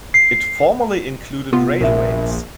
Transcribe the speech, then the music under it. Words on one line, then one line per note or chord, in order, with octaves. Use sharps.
It formerly included railways.
C7
C3 B3 F4
A#1 A#4 E5